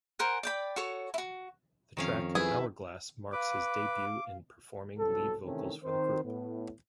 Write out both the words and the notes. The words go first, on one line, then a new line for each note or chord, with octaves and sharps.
The track "Hourglass" marks his debut in performing lead vocals for the group.
A#4 C5 F#5 G#5
D5 G5 B5
F#4 A4 C#5 C#6
E4 F#4
F2 D#3 C#4 F5
E4 G#4 B4 E5
B4 F5 D6
C2 B2 F#3 A4
C3 D#3 E3 A3 C4 C#4
D#3 C4 C5
A2 B3